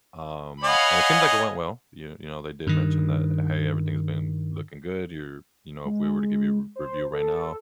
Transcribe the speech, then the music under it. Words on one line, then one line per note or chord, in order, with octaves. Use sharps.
Um, and it seemed like it went well. You you know, they did mention that, "Hey, everything's been looking good. You're you know, if we were to give you a r review right now,
C#5 D#5 F5 F#5 G#5 B5
G2 D#3
G#3
C5
A4